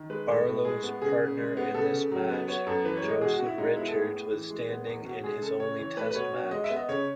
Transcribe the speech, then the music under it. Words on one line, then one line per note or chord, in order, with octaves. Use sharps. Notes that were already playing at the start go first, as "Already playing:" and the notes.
Barlow's partner in this match, Joseph Richards, was standing in his only Test match.
Already playing: D#3
G#3 B4
A2 A4
A2
G#3 G#4
B3
C#3 G#4
C#3
G#3
B3
C#3 A4
C#3
F#3
B3
B3 C#5
F#2 A4
E3 B4
C#5
G#3
D#5
B2 G#4
F#4
B2
E4
G#3 D#4
B3 E4
A4
A2 G#4
A2
E3
G#3
B3
E2
B2 F#4
G#3 G#4
C#3 A4
C#3 C#5
E3 C#5
A3 B4
B4
B2 C#5
B2
G#3 D#5
E5
B3
D#5
C#3 C#5